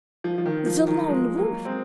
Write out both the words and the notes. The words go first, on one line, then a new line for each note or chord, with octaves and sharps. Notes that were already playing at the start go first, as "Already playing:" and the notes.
"The Lone Wolf!"
F3
F3
D#3
F3
D#3 F#3
F3 G#3
F#3 A#3
G#3 C4